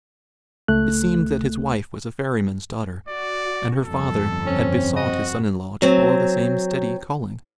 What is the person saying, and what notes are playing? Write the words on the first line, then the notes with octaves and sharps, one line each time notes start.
It seemed that his wife was a ferryman's daughter, and her father had besought his son-in-law to follow the same steady calling.
C#2 A3 F#6
F#4 D5
G1 F2 A4
C4 C#4
F#4 D#5
F#3 C4